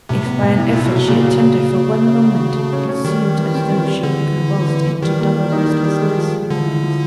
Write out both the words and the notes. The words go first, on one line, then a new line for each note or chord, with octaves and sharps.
If, by an effort, she attended for one moment, it seemed as though she were convulsed into double restlessness the next.
A2 C3
B3
A2
E4
A#2 E4
B2
C3 F#3
A#2 C#3
F#3
A#2
A#2
A#2
F#3
C#4
F#4
F#4
A3
C#4
C#4
D#3 G3
G3
E3
C4
E3
G3
D3 G#3
E3
E3
E3
E3
E3
D#3 G3
A#3
G3
D#4
G3
G3
G#3
F3
G#3
D3 F3
E4
F3